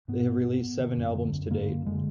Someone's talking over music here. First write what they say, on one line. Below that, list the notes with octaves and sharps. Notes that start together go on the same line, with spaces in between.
They have released seven albums to date.
G#2 B3
G#2
G#2
G#2
D3
F#2
D3
F#2
D3 A#3
F#2
D3 G#3